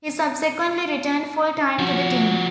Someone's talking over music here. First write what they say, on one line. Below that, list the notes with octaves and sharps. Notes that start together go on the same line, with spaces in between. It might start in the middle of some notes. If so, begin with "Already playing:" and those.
He subsequently returned full-time to the team.
F3 F#4